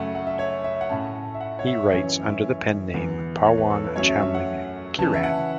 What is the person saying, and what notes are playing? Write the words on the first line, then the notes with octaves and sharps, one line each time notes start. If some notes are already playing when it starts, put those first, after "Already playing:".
He writes under the pen name Pawan Chamling "Kiran".
Already playing: F#2 C#3 A3 C#4 F#5
F#5
E5
C#5
E5
F#5
A2 A3 C#4 A5
E5
F#5
C#5
E5
F#2 E3 C#4 C#5
C#5
E5
E2 E3 B3
C#5
B4
A4
B4
F#2 F#3 A3 C#4 C#5
E5
E5
F#5
C#3 E3 C#4 A5
E5
F#5